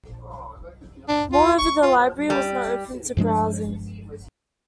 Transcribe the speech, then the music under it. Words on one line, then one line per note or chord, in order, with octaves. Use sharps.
Moreover, the library was not open to browsing.
D4
F4
C#6
F4
G3
G2 F3 G#3 D4